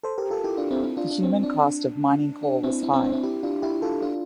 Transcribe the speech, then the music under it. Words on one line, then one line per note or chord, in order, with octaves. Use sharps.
The human cost of mining coal was high.
A4 C5
G4 A#4
F4 A4
E4 G4
D4 F4
C4 E4
C4 E4
D4 F4
D4
C4
D4
D4
C4 E4
C4 E4
C4
D4
C4 E4
E4 G4
D4 F4
E4 G4
F4 A4
D4 F4